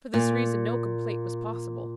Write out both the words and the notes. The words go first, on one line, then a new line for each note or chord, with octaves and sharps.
For this reason no complaint was possible.
A#2